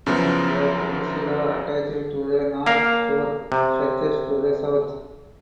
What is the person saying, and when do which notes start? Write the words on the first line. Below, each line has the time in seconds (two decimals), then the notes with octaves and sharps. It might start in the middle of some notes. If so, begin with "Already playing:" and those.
A peninsula attached to the north shore stretches to the south.
0.06 F#2 C#3 F3 F#3 B3 E4
2.66 A#3 F5
3.52 C3